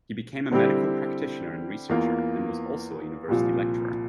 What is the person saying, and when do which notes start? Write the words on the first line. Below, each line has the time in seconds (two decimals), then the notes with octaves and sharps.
He became a medical practitioner and researcher, and was also a university lecturer.
0.51 D3 G3 C4 E4 G4
1.89 E2 E3 A#3 F4
3.28 C2 A#2 F3